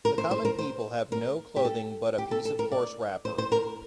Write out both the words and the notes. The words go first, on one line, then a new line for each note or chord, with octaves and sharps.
The common people have no clothing but a piece of coarse wrapper.
A#4
C5
C5
A#4
C5
A#4
G4
A4
G4
A4
A4
A#4
D5
C5
C5
A#4